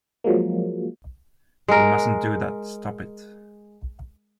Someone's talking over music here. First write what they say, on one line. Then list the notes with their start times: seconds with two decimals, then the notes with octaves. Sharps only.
You mustn't do that. Stop it!
0.24 F3 F#3 G#3 A#3
1.68 G#3 A#4